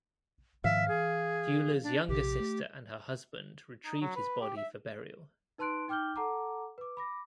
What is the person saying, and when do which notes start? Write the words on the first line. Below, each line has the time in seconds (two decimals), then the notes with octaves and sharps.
Dula's younger sister and her husband retrieved his body for burial.
0.64 G#2 D#3 F3 E5 F5
0.88 E3 G#4
1.83 D4
2.08 A#1 C3 G4
2.40 A3
3.85 D#4
4.01 F#3
4.16 B4
4.41 G4
4.57 E5
5.58 D#4 B4 A5 C6 F#6 D7
5.88 D#4 G5 D6 F6 G6 G7
6.16 A4 F#5 A5 A#5 D6
6.78 B4 D6
6.97 B5 D6 A#6